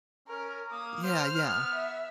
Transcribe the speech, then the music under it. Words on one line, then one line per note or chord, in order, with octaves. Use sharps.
Yeah, yeah.
C#4 A#4
A#3 D#6
C5 F6
B3
E5